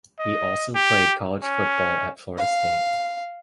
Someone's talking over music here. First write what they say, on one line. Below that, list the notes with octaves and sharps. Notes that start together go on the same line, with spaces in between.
He also played college football at Florida State.
D#5
G4
C#4
F5